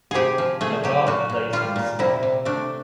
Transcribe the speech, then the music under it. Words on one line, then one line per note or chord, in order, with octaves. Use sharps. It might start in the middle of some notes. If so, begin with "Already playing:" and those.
A dog plays in the snow.
C3 G4 G#4
F3
A3 G#4
F#3 G4
A#2 F#4
A#2
G3 F4
A#2
C3 E4
C3
A3 D4